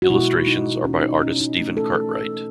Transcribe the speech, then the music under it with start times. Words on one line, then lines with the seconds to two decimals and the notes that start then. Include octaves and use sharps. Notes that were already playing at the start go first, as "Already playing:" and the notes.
Illustrations are by artist Stephen Cartwright.
0.02 F#4
0.10 B2 G#3 B3 E4
0.47 D#4
0.85 C#4
1.03 D#4
1.22 C#4
1.40 D#4
1.58 E3 A3 C#4
1.77 A4
1.95 A4